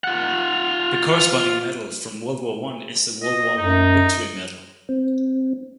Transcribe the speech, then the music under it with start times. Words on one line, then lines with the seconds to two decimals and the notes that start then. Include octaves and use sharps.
The corresponding medal from World War One is the World War One Victory Medal.
0.04 F4 F#5
3.23 D#5
3.58 F#2 D#4
4.89 C4